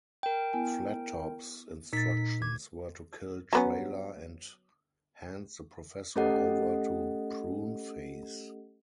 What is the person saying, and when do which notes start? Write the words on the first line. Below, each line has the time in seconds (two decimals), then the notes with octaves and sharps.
Flattop's instructions were to kill Trailer and hand the Professor over to Pruneface.
0.23 A#4 G5
0.53 B3 E4 G#5
1.93 A#2 D#4 A6 B6
2.42 D6 G#6
3.53 F#3 B3 C#4
6.16 A3 C#4 G4 A4 D#5 F#5